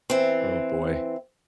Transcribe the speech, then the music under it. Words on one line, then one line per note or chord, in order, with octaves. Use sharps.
Oh, boy.
E3 C4